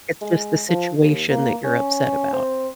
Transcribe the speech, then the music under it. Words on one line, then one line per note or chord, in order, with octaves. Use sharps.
It's just the situation that you're upset about.
G#3
F3
D#2
A#3
C#4
C4